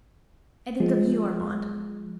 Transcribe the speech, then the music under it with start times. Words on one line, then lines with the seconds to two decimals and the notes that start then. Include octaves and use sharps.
I think of you, Armand.
0.80 F3 G#3